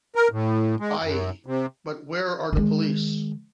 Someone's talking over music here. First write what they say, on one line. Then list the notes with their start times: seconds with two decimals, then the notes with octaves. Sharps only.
Ay, but where are the police?
0.15 A#4
0.32 A2
0.80 G#3
1.03 F#2
1.46 C3
2.53 D#3 G#3